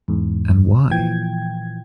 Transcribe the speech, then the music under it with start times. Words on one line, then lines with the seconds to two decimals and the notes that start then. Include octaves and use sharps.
And why?
0.08 E2 G#2
0.91 A#2 E3 F3 G5 G#6